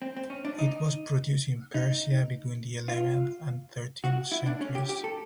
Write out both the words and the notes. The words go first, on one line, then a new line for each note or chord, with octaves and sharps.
It was produced in Persia between the eleventh and thirteenth centuries.
C4
C4
C#4
D4
D#4
D#4
F4
F#4
E4
D4
C#4
G4
G4
A4